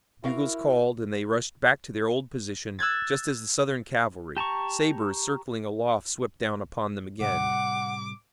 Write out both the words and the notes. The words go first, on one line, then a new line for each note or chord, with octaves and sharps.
Bugles called and they rushed back to their old position just as the Southern cavalry, sabers circling aloft swept down upon them again.
E4 F#4 A#4 F5
E6 F#6 G#6 A6
G4 A5 A#5 C#6
A2 C3 G3 F#5 D6